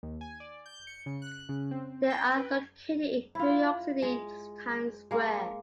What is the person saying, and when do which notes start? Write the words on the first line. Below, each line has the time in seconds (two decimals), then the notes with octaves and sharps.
They are located in New York City's Time Square.
0.03 D#2
0.21 G#5
0.40 D5
0.66 G6
0.87 C#7
1.06 C#3
1.22 F#6
1.49 C#3
1.71 C4
2.10 G5
2.36 B4
3.35 E4 F4
4.02 G#3
5.11 G#3 A#3